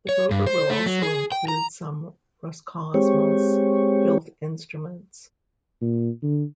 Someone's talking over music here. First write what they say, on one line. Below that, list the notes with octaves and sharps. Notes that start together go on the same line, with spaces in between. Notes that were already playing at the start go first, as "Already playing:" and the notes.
The rover will also include some Roscosmos built instruments.
C#5
G2
C5
A3
F#3
G#4
G5
A#5
G#3 C4 G4 C#5
A#2
D3